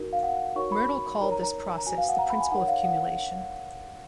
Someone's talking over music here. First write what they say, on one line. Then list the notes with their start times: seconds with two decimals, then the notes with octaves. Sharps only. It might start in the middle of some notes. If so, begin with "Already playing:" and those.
Myrdal called this process the "principle of cumulation".
Already playing: D#4 F#4 A#4
0.13 F5
0.23 F#5
0.56 D#4 F#4 A#4 C#5 C#6
0.72 B5
1.21 D#4 A#4 C#5 A#5
1.32 A#5
1.43 A#5
1.78 A#5
1.86 F#4 G#5
1.90 B4
1.98 F5
2.09 F#5
2.19 A#5
2.30 B5
2.41 G#5
2.52 D#4 A#4 C#5 F#5
2.68 F5
2.84 F#5